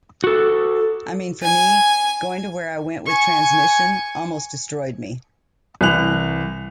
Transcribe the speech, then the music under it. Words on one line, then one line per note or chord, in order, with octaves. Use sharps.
I mean for me, going to where I went with Transmission, almost destroyed me.
F#4 A4
G#5
G#5 C#6
C2 E3 F#6 F7